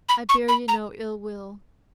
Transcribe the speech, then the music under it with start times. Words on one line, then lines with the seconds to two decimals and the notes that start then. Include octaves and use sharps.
I bear you no ill-will.
0.09 B5
0.29 C#6
0.48 B5
0.68 A#5